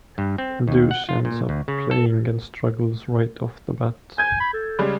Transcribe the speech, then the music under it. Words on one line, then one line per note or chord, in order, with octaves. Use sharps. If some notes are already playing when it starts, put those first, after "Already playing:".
Deuce ends up playing and struggles right off the bat.
G2
C4
D#2
F#5
F4
A#2
D2
C#3
A4
G#5 G6 G#6
B5
A4
C#3 G3 G#3